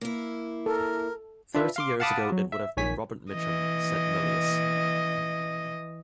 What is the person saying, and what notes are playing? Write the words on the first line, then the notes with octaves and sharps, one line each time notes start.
"Thirty years ago it would have been Robert Mitchum," said Milius.
A#3 E4
A4 A#4
D4 F4 B4 E5
F5 C6 D6
F5 F#5 A5 B5 D6 D#6
F#3
E5
A#1 D#3 C#5 G#5 B6
E3 D#5